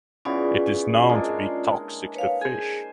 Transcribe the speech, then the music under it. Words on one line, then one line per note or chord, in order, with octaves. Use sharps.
It is known to be toxic to fish.
C#3 E3 B3 C#4 F4 D5
G#3 A#3 D4
B4 C#5 F5
G#4 C5 G#5